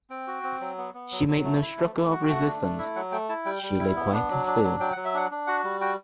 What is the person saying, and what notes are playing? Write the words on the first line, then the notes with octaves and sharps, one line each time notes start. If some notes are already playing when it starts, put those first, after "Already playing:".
She made no struggle of resistance; she lay quiet and still.
C4 G5
F#4
C4
F#3
B3
B3
F#3
F#3
A3
E4
A3
A3
F#4 F#5
G5
A3 F#5
D4
A3
E4 E5
F#3 F#5
A3 G5
E4 A5
G3 G5
G3
E4
B3
D4
F#3
D4
F#3
F#3 G5
F#3 F#5
E5
D4 F#5
D4
F#4 F#5
G3
F#4 G5